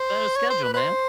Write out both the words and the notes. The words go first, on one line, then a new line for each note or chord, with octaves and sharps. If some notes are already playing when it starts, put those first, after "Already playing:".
Set a schedule, man.
Already playing: C5
C#5
C5
B4
B4
C5